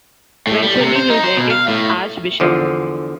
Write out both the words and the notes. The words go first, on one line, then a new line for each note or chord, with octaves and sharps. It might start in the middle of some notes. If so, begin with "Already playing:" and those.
Eventually he was elected archbishop.
A2
G3
C3
C5
D#4
C5
B2
F5
A2
E2 D3 F3